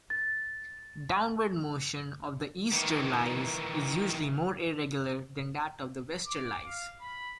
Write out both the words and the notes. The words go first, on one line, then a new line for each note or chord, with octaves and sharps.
Downward motion of the easterlies is usually more irregular than that of the westerlies.
A6
D#3 E3
D6
F5
B5